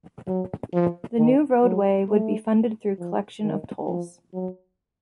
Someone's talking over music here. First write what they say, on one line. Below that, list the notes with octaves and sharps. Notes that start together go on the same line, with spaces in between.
The new roadway would be funded through collection of tolls.
F#3
F3
D#3
F#3
A3
F3
D#3
F3
F#3